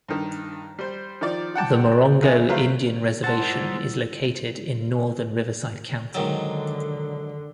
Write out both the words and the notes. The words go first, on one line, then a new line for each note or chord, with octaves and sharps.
The Morongo Indian Reservation is located in northern Riverside County.
G2 D#3
G3 C5
D#3 F3 D5
F#5 G5 A5 D6
C3 E3 E4 G#4 B4
F#3 A3 B4 C5 F5
G#2 E4 F4 C5 F#5 A5 E6 A6
G#2 D3 D#3 F#3